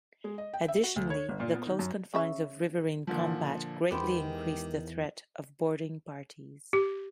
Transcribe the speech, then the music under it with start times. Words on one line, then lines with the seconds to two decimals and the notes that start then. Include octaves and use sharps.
Additionally, the close confines of riverine combat greatly increased the threat of boarding parties.
0.24 G#3
0.38 D#5
0.54 G5
0.68 E5
0.84 F#4
0.96 D2
1.10 C#5
1.29 G1
1.40 A#2
1.55 B3
1.66 D#3
1.79 F#2
2.14 C#3 C#4 E5
3.07 A#2 D3 F3
3.91 E2 D#3 G#3 B3 E4 G4 C5
6.73 G4